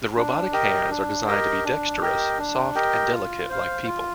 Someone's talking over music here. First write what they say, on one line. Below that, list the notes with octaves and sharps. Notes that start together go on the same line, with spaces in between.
The robotic hands are designed to be dexterous, soft and delicate like people.
D4
G4 A#4 D#5 G5
D4
G4 A#4 D#5 G5
D4
G4 A#4 D#5 G5
D4
G4 A#4 D#5 G5
F4
C5 F5
F4